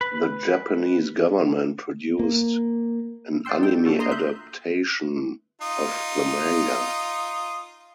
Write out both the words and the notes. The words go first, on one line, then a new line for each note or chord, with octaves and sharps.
The Japanese government produced an anime adaption of the manga.
B4
A#3
D5 F#5 G5 C6 E6
D#4 G5
A#3 D4 F4 F#4 A4
A#5 C6 D#6
E5 F#6 G6
D#4 F4 D#6